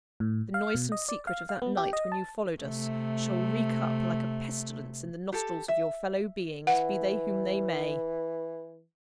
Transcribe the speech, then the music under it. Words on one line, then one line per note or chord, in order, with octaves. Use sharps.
The noisome secret of that night when you followed us, shall reek up like a pestilence in the nostrils of your fellow-beings, be they whom they may.
A2
F5
B2
D#5
D5
F5
F5
B3
G4
D#5
A5
C3 A3
G4 A4
E5
E3 F#5